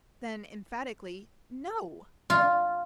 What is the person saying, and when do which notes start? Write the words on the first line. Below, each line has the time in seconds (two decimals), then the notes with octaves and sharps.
Then, emphatically, "No!"
2.30 F4